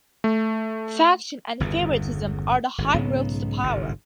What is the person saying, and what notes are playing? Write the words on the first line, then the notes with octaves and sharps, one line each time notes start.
Faction and favouritism are the high roads to power.
A3
G1 E2 C#3
G#1 A2
B1 G#2 C#3 B3
G1 C2 G#2